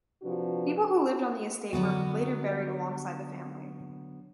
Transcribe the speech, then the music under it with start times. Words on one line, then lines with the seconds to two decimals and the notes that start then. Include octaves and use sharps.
People who lived on the estate were later buried alongside the family.
0.23 C3 F3 D4 F#4 G4 B4
1.73 D3 F#3 B3 F#4